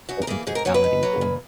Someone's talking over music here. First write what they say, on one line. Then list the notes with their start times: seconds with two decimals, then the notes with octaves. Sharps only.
to in totality or
0.09 F#2 F#4
0.22 A#4
0.27 E3 A#3 G#4
0.47 G#2 G#4
0.55 A#4
0.65 F#3 A#3 C#5
0.74 B4
0.84 G#2
1.03 F#3 A#3
1.21 A#2